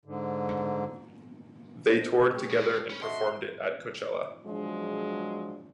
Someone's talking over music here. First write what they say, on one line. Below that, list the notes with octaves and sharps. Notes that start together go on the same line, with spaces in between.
They toured together and performed it at Coachella.
G#2 D3
B3 D4 C5 D#5
C#4 F4
A#2 G#3 G#4 G5
A2
C#4 C#5 B5 B6
F#4 A4 D#5 E5 A5 C6
F3 F#3 G#3 D4 G#4